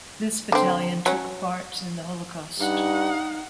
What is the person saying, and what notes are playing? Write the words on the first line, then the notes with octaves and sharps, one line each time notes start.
This battalion took part in the Holocaust.
D3 C4
F#3 C#4
G2 D#4 F#5